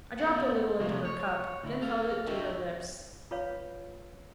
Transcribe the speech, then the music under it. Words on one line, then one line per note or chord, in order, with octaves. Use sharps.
I dropped a little into her cup, then held it to her lips.
B3 A4 F5 F#5
C3 F3 G#3 A3
C#5
D2 E4
A4 F5
D4 F#4 G4 D#5 E5
F4 B4 C#5 F5